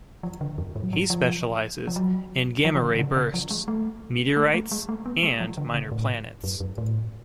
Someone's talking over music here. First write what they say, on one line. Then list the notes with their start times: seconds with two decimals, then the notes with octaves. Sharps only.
He specialises in gamma-ray bursts, meteorites and minor planets.
0.23 F3
0.41 D3
0.58 F2
0.76 G#2
0.84 F#3
0.93 F3
1.10 F3
1.87 F3
1.96 F#3
2.65 F3
2.75 F3
2.82 D3
2.99 C#3
3.16 C#3
3.34 F3
3.51 G#3
3.68 A3
4.37 A3
4.54 A3
4.72 G#3
4.89 A3
5.06 B3
5.23 G#3
5.40 F3
5.57 D3
5.74 C#3
5.92 A2
6.44 F#2
6.60 F#2
6.78 A2